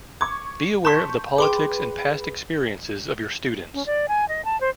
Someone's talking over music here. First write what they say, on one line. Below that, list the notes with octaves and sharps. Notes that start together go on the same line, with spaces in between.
Be aware of the politics and past experiences of your students.
C#6 D6 G#6
A5 C6 C#6 G6 B6
G#4 B4 G5 C6 D6
C#4
D5
G#5
D#5
A5
C5